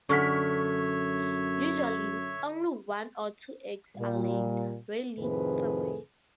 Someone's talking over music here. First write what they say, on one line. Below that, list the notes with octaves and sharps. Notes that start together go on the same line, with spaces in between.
Usually, only one or two eggs are laid, rarely three.
F#2 D3 C#5 E5 C#6 F6 B6
A#2 G3
F2 A2 C3 D#3 G#4 B4